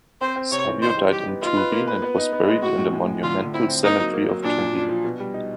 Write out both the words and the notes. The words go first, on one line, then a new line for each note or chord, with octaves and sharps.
Savio died in Turin and was buried in the Monumental Cemetery of Turin.
C4 C5
C4
C3 C#5
E3
D#4 C5
G3
D#4 G4
B3
D#4 F4
B4
A#3
B4
B3
D#4
B3
G#3
A2 F#4
A2
A2
A2
D3 F4
D3
C4 E4
C4
A#3 D#4
F#3
A#3
F#3
A#2 D4
A#2
F3
F3
B2
G3
D#4